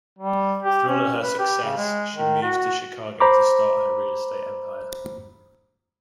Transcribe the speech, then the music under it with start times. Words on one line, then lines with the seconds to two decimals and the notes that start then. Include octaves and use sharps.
Thrilled at her success, she moves to Chicago to start her real estate empire.
0.18 G3
0.63 G4
0.88 C#4
1.22 B4
1.39 G4
1.64 C#3
1.77 G#3
2.15 D#3
2.42 F#4
3.20 C5 A#5 B5 D6